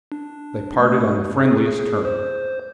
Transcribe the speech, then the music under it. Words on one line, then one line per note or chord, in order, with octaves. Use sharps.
They parted on the friendliest terms.
D4
A3
G#4
C5